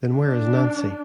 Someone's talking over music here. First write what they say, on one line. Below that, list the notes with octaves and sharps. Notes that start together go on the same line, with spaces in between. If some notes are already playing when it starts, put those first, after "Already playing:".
Then where is Nancy?
D4